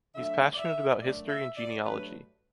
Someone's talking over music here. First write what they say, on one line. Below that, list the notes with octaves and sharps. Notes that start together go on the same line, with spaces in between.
He is passionate about history and genealogy.
D3 F#3 A3 E5
D5
E5
F#2 D3 A3 D5
E5
D5
G2 F#3 A3 D4 B4